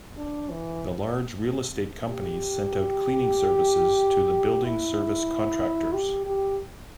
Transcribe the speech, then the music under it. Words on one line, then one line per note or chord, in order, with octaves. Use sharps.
The large real estate companies sent out cleaning services to the building service contractors.
D4
E3
G4
E4
G4
G4